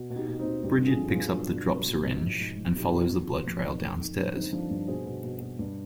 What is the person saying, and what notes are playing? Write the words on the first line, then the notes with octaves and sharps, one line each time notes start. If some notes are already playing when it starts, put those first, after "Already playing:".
Brigitte picks up the dropped syringe and follows the blood trail downstairs.
Already playing: B2
B2
D#4 G4
B2
C4 D#4
B2
G2 D#4 G4
D3
F4 G#4
F3
F4 G#4
G2
B2 D4 F4
B2
B2
B2
G#2
F3
G#2
F3
B2 D#4 G4
B2
B2
B2
F2
D#3
F2
D#3
G2 D4
D3 C4 D#4
F3 D4 F4
G2
B2 G#4 C5
B2
B2
B2
G2